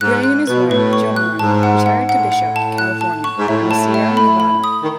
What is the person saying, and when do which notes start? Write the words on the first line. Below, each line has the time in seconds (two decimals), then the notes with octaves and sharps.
Bray and his wife, Joan, retired to Bishop, California, in the Sierra Nevada.
0.01 G#2 F#6
0.24 F#6
0.47 B2 B4
0.71 A2 B4
0.93 C#6
1.16 F#6
1.39 G#2 A5
1.63 F#5
1.86 F#5
2.09 A2 F#5
2.32 F#5
2.56 A5
2.78 F#6
3.01 A5
3.24 C#6
3.38 G#2
3.47 A2 E5
3.71 A5
3.94 E5
4.17 B5
4.40 B5
4.64 D#6
4.82 D#3